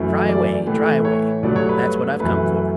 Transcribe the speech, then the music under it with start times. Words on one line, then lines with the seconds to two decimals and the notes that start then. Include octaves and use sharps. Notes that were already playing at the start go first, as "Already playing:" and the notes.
"Try away, try away; that's what I've come for."
Already playing: F#2 E3 A3
0.28 D5
0.66 A2 E3 A3
1.05 C#5
1.43 G2 F#3 A3 D5
1.56 C#5
1.69 B4
2.20 F#2 E3 A3 B4